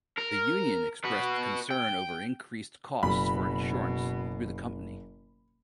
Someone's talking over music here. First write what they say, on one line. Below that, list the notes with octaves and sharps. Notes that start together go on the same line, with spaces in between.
The union expressed concern over increased costs for insurance through the company.
A#4
F#4 B4
G5
F#1 B2 B5